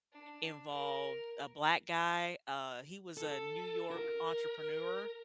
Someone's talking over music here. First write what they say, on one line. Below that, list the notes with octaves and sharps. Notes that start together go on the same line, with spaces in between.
involved a black guy, uh, he was a New York entrepreneur
D4
A#4
A4
A#4